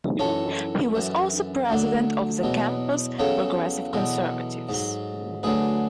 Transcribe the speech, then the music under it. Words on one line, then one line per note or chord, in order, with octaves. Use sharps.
He was also president of the campus Progressive Conservatives.
F#2 E3 A4 C#5
F#2 E3
D2 D3 F#3
E2 B2 F#3
E2 C#3 F#3 A4 C#5
E2 B2 F#3
G#2 F#3
D2 D3 F#3 G#4 B4